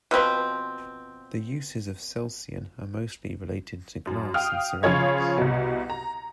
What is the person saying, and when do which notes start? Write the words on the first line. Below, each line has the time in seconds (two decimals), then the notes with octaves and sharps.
The uses of celsian are mostly related to glass and ceramics.
0.11 B2 F3 C4 B4
4.07 F#2
4.34 F5 G5 D#6 F6
4.83 C#3 F3 F4 G#4 C#5 G#6
5.38 C2 B2
5.90 A#5